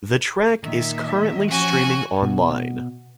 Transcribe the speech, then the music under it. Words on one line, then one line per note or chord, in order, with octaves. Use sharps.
The track is currently streaming online.
A#2 D#3 E5
F3 C#4 F#4 G#5
B2